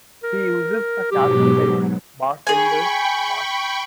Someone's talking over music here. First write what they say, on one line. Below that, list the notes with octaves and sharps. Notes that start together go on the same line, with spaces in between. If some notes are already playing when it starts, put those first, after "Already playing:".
He uses the catchphrase, Bartender, Jack!
A#4
G#2 B2 F#3 G4
G#4 G5 G#5 B5 C#6